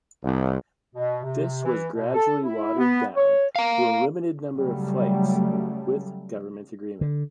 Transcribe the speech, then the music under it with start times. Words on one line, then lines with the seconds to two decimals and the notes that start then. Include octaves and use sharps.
This was gradually watered down to a limited number of flights with government agreement.
0.23 C2
0.95 B2
1.23 C3
1.64 E3
1.94 B2
2.13 A4
2.42 E4
2.78 B3
3.15 C#5
3.56 F5 A#5
4.53 C#3 F#3 G3 A3
7.01 D3